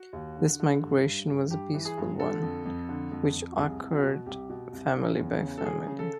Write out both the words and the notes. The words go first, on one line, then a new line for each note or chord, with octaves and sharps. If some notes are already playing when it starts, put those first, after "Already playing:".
This migration was a peaceful one which occurred family by family.
Already playing: F#4
D#2
D3
D3
G2
G2
G2
G2 G4
E3
G#4
G2
D3 A4
F2
F2
D3
F2
F2
C2 G#4
C2
F#4
B2
C2 G4
B2
C2
C#3
E2
C#3
A4
C#3 G#4
C#3
A4